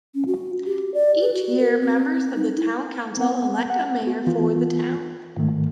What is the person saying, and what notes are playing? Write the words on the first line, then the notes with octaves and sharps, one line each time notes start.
Each year members of the town council elect a mayor for the town.
C#4
F#4
G4
D5
B4
F#4
A#4
C4
D#4
E4
B3 C4 F#5
F#5
B3 F#4
E3 B3 F4
G#2 D#3 A3